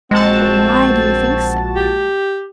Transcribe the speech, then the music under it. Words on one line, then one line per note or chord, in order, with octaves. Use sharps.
But why do you think so?
A#1 G#3 C4 F#4 A5
G4